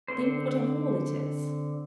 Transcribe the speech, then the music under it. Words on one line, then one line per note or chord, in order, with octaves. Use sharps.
Think what a haul it is!'
D3 C4 C5